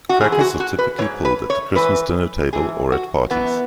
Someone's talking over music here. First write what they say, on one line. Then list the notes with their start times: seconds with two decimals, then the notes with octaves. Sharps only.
Crackers are typically pulled at the Christmas dinner table or at parties.
0.09 F#4
0.21 G#2 E3 G#4
0.32 G#4
0.41 F#4
0.60 F#4
0.79 B4
0.98 E3 C#5
1.02 G#2
1.25 B4
1.50 C#5
1.75 G#2 E3 B4
2.53 G#2 E3 G#4
2.92 F#4
3.30 F#2 E3 B3